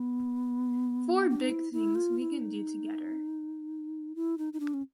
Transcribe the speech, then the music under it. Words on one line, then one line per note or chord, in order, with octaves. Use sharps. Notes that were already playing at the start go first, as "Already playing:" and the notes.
Four big things we can do together.
Already playing: B3
D4
D#4
E4
E4
F4
F4
E4
D#4
E4
D#4
D#4
D4
C#4